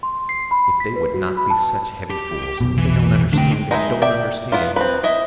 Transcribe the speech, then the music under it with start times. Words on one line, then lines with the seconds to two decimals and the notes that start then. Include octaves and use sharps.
"If they would not be such heavy fools: they don't understand; they don't understand."
0.03 C6
0.29 C7
0.51 B5
0.80 B6
0.96 B4
1.14 F#4
1.37 B5
1.50 A5
2.10 G4
2.61 F1 B1 B2
2.77 E3
3.33 D3 A3 C4 D4 G5
3.71 G#3 D#4 E4 A#4 E5
4.02 D5 E5 G5
4.52 B3 E4 F4
4.76 C4 C#4 B4
5.03 E4 D#5 E5